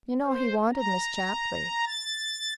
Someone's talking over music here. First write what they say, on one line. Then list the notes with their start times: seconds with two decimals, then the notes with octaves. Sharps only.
You know he wanted Miss Chapley.
0.25 C5
0.73 A#5
1.85 A6